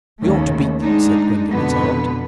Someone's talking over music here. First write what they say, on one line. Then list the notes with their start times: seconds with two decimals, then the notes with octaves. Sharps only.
"We ought to beat them," said Gwendolen's aunt.
0.21 D#2 C#3 A3
0.81 G#3 D4 D#4
1.51 F2 B2 D3 B3 B4